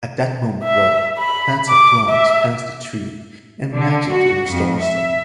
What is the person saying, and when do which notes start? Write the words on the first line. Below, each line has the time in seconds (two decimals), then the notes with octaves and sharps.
At that moment though, Santa flies past the tree and magically restores them.
0.63 E5
1.18 B5
1.69 D6
2.09 E5
3.73 D3
4.11 F#4
4.50 F2
4.81 E5